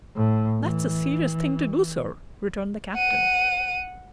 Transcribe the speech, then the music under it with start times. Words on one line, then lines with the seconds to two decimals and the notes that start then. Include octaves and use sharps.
"That's a serious thing to do, sir," returned the captain.
0.16 A2
0.60 E3
2.95 F#5 D#7